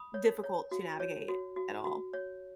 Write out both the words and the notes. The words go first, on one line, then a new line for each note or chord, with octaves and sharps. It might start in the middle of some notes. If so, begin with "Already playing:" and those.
difficult to navigate, at all.
Already playing: B5 D#6
C#5
C#5
F#4
C#5
F#4
F#4
F#4
C#5